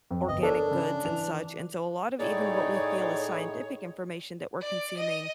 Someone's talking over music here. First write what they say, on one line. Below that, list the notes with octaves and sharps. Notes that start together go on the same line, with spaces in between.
organic goods and such, and so a lot of even what we feel is scientific information that we're consuming
F2
G1 D#5
D4 A4 A#4 C#5
C#3
E3 F7
A2 D#4 G#4 C#5 D5
D5
D#5